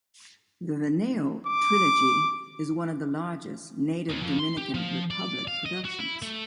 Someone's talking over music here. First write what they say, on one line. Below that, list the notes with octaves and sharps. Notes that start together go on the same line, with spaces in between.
The Veneno trilogy is one of the largest native Dominican Republic productions.
D6
D#2
F2
C6
G4
F3
D5
F5
D#5
F#4
E4
A3